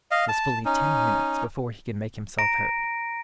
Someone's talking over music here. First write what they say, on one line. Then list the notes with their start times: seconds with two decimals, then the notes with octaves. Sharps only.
It was fully ten minutes before he could make himself heard.
0.11 D#5 F5
0.28 A5
0.65 C#4 D#4
2.39 A#5 A#6 D7